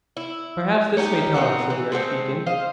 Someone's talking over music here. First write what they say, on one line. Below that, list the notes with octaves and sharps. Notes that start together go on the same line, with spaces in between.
"Perhaps this may tell us," said the Archdeacon.
E4
C#4 D#4 E4 G4
E3 B3 C4 D#4
E3
G#3 A3 B3 C4
C5 D#5 F5